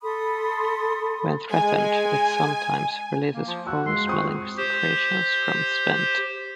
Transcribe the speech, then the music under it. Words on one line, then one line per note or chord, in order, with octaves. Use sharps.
When threatened, it sometimes releases foul smelling secretions from its vent.
A4 B5 C6 D#6
G#3 G#5
A#3
F3
F#4 F#5 E6
G#3 C6
C4 F4 C#6 D#6 F#6
G4 C5